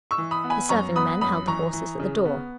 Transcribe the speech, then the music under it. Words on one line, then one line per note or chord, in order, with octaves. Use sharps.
The serving-men held the horses at the door.
C#6 E6
E3
B5 D#6
B3
G#5 B5
F#2 A#5 C#6
B3 B5 D#6
F#2 B5 D#6
E3 A#5 C#6
E3
C#3
B3